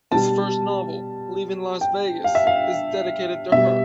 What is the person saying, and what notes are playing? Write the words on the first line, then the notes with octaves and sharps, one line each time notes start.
His first novel, "Leaving Las Vegas", is dedicated to her.
B2 G3 A5
G5
F5
E5
F5
B2 G3 E5